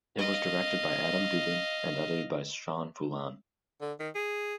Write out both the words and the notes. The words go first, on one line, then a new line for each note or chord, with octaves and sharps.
It was directed by Adam Dubin, and edited by Sean Fullan.
D#5 F5
D3
D#3
G#4